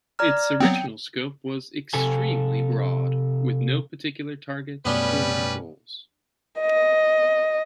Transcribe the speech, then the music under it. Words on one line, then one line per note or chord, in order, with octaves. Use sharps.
Its original scope was extremely broad, with no particular targets or goals.
D5 A#5 F6
F#3 B3 C4 G5
C3 A4 G#5
F#2 B2 G3 A3 B3 C#4 D4 B4
D#5